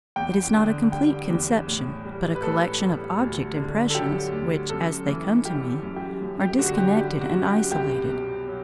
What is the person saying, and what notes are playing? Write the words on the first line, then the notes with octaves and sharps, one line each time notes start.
It is not a complete conception, but a collection of object-impressions which, as they come to me, are disconnected and isolated.
E2 G5
D3
G3 G5
E2
A2
G3
B4
A2 A4
G3
D2
D3
A4
F#3 G4
D2
F#2 A4
E3
G3 G4
F#2
G4
F#2
G4
D3 F#4
G4
G3 G4
F#4
F#2
G4
C2 G4
B2
F#3